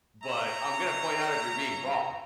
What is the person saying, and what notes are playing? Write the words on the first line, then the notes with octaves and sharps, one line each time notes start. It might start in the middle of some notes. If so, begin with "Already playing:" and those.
but I'm gonna point out if you're being wrong,"
C#5 E5 A#5